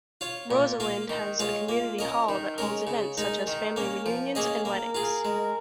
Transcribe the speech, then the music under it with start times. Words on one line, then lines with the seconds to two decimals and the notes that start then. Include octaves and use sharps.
Rosalind has a community hall that holds events such as family reunions and weddings.
0.21 F4 C#5
0.51 A#2
0.80 A#3 F4
1.09 D#3
1.39 G#3 F4 C#5
1.69 A#3 F4
1.99 C#4 A#4 D#5
2.28 D#3 D#4
2.58 G#3 C#4 A#4
2.87 C#3
3.17 G#3 D#4 A#4
3.47 D#3 A#4
3.76 A#3 C#4
4.06 F3
4.35 A#3 C#4 G#4 D#5
4.65 A#3 A#4
4.95 F4 G#4
5.25 G#3